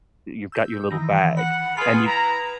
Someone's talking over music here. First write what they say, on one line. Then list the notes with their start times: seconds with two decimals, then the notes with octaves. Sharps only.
you've got your little bag, and you
0.52 E6 G6
0.91 D#3 E3 A#6
1.37 F#5 B5
1.77 F4 G#4 B4 B5
2.06 E4 A#5